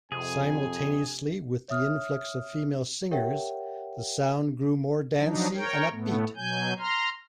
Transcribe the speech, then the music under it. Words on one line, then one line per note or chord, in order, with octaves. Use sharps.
Simultaneously with the influx of female singers, the sound grew more dancey and upbeat.
F2 C3 G#4 G#5
C#5 E5 D#6 F6
G4 A#4 C#5 E5 F#5 G5
F3 F#3 D4 D#4
A#4 C#5 G5
A2 A3 B3
B2 F#3 G#5 G6
A#5 C6 F6